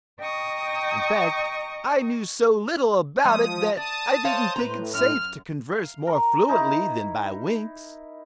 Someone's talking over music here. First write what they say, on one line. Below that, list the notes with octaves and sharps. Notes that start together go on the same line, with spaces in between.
In fact, I knew so little about it that I didn't think it safe to converse more fluently than by winks.
D#5 G5 A#5 C#6 D#6
F3 G#3 D#6
D5 A5 D#6
C5 C#5 F5
A2 B4 A#5
F#2 F6
F5
A#4
D#4 E4 C#6